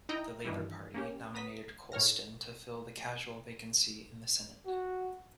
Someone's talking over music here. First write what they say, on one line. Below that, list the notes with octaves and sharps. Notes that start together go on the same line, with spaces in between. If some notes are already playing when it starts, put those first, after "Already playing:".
The Labor Party nominated Colston to fill the casual vacancy in the Senate.
D#4 E4 D#5 G5 A#5
G2 D#3 E3 G3 E4
A#3 C#4 G4
B3 A#5 D#6 B6
A2 C#5 F6 A#6
F#4